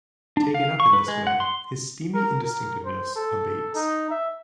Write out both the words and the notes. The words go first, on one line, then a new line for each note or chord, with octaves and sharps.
Taken up in this way, his steamy indistinctness abates.
D4
F5
C#6
B4
G#3
F#5
C6
A#4
A#4
C5
A4
D#4
E5